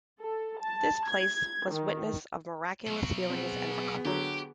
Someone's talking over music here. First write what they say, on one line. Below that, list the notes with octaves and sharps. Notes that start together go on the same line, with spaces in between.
This place was witness of miraculous healings and recovery.
A4
A5
G#6
D#3
B2 F#3
B3 C4 G#4
D3 F#3 G4